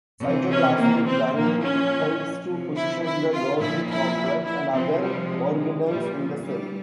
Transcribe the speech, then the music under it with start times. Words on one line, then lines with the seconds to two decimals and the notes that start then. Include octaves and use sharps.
Cytoplasmic dynein helps to position the Golgi complex and other organelles in the cell.
0.24 C3 E3
0.51 C#4
0.79 A#3
1.08 C4
1.35 A#2 F3 A#3
1.63 C#4
2.48 C3 F3
2.77 E4
3.05 E4
3.33 F4
3.61 A#2 F3 E4
3.89 E4
4.45 E4
4.73 C3 F3 C4
5.02 G3
5.30 G#3
5.58 G#3
5.86 A#2 F3 G3
6.14 F3
6.42 G3